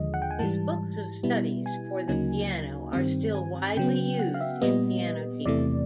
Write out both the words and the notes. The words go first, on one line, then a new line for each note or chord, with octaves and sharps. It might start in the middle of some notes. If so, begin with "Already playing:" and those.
His books of studies for the piano are still widely used in piano teaching.
Already playing: D#2 D3 F3 G#3 D#5
F#5
G5
G#5
G#2 E3 G3 A5
B2 G3 B3 E4
G#5
D2 C#3 F#3 A#3 D#4 G#5
G2 D#3 G3 C4
G#5
C#3 F#3 B3 G5
F#5
F5
E5
A#2 G3 B3 D#5
E2 C3 E3 A3 D5